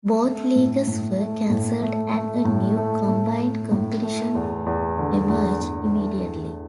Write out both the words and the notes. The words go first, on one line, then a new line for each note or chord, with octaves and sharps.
Both leagues were cancelled and a new, combined competition emerged immediately.
A3
A2
A2
A3
A2
A3
A3
A2
A3
A2
A3
A2
A3
E2
E2
D3
E2
E2
A3
E2